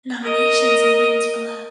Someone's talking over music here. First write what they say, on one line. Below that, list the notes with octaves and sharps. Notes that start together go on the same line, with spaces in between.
Nominations and wins below.
A#4 D#5